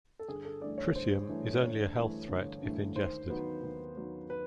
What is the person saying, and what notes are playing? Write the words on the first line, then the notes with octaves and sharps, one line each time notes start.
Tritium is only a health threat if ingested.
A4
G1 G#4
A4
G2 E3 A3 D5
C#5
G1 C5
G2 E3 A3
G1 C#5
G2 E3 A3
G1
G2 E3 A3
D#2 C5
D#3 F#3 B3
D#2
D#3 F#3 B3
B4